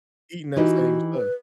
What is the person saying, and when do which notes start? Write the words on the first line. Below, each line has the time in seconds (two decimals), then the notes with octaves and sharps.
eating that same stuff.
0.56 E3 D#4 F#4 G4
1.15 B4